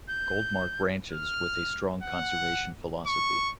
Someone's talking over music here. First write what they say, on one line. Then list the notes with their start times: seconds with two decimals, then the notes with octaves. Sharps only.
Goldmark ranches with a strong conservation philosophy.
0.08 G6
1.11 F6
2.03 F#5
3.07 C#6